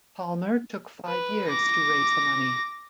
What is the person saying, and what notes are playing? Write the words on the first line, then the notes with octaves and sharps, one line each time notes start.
Palmer took five years to raise the money.
B4
D6 A#6